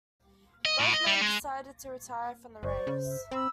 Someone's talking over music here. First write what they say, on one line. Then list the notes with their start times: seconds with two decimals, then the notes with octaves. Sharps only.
Both men decided to retire from the race.
0.65 D#5
0.80 A2
0.93 D#5
1.07 G3
1.21 G#3
2.63 F#1 C5 D5 C#6
2.87 C#3
3.05 E5
3.31 C4 B5 E6